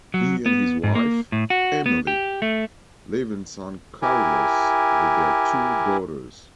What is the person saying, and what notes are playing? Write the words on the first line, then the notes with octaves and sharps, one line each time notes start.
He and his wife, Emily, live in San Carlos with their two daughters.
F#3
B3
G#2
A#3
A2
F#4
B3
G4
A3
E4 G4 A#4 G#5